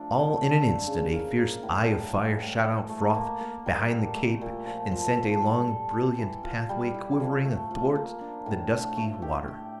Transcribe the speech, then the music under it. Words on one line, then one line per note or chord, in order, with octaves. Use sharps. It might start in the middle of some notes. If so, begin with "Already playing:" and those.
All in an instant a fierce eye of fire shot out from behind the cape and sent a long brilliant pathway quivering athwart the dusky water.
Already playing: F3 A3 D4
D3
A3
D3
C#3
A#3
A#3
A2
G3
E3
A2
E3
A3
A#3
A#3
G3
A3
A3
A#2
F3
F3
A4
G3
A4
A4
E3
F4
G3
E4
F3
A3
F3
A#3
D4
A2
A3
A3
G4
G4